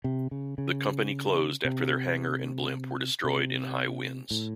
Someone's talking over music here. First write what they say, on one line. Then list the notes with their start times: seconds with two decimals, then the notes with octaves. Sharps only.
The company closed after their hangar and blimp were destroyed in high winds.
0.04 C3
0.31 C#3
0.58 C#3
1.65 C3
3.24 C3
4.31 A2